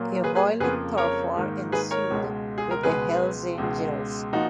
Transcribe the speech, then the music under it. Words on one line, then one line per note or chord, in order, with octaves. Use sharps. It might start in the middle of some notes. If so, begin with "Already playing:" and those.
A violent turf war ensued with the Hells Angels.
Already playing: A#2 F#3 A#3
G#4 B4
G#4 B4
F2 C#3 F3 A#3 G#4 B4
A#4 C#5
G#2 D#3 A#3
G#4 B4
A#4 C#5
C#2 B2 G#3
G#4
A#4
C#2 B2 G#3 G#4 B4
C#2 B2 G#3
A#2 F3 A#3 D#4 F#4